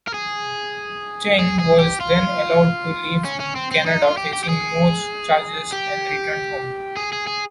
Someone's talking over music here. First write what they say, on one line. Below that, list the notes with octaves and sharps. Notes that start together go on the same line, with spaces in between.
Cheng was then allowed to leave Canada facing no charges, and returned home.
A#4
G#4
G#4
G#4
G4
F4
C#4
C#4
C4
C4
D#4
F4
G4
G4
G4
G#4
G4
G#4
G#4
G#4